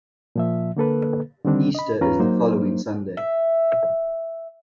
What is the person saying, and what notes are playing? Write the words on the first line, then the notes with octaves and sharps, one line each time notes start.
Easter is the following Sunday.
A#2 F3 E5
D3 A#3 A4 B4
D3 D#3 G3 C4 D4
D#5 B5
E2 C#4 F4 B4 A#5
F#3 A#3 D#4 C5
E5